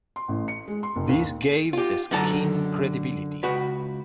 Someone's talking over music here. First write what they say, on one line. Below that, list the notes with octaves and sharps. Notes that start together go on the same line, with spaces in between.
This gave the scheme credibility.
C6
A1
C#7
G#3
C6
F#1
D#2
F4 G4
F#2 D3 F#3 A4 A5 A#5
C#2 F#4 B4